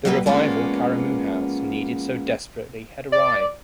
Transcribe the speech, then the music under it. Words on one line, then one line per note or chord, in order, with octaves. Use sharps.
The revival Karamu House needed so desperately had arrived.
F#3 G3 A#3 G4 A4 B4
F3 G#3 A#3 B3 C#4 D5
D5